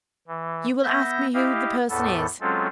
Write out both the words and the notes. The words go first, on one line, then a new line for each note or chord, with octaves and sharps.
You will ask me who the person is.
E3
B3 E5 G6 A#6
E4 G4 D#5 F5
E2 A2 B3 A4
F#3 G#3 C4 C#4 F4 A4